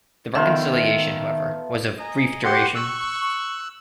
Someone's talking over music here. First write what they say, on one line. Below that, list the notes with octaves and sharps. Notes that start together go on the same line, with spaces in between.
The reconciliation, however, was of brief duration.
D#3 B3 F4 A4 E5
D#5 G#5 A#5
F#4 G4 B4 F#5 C6
C#6 E6 F#6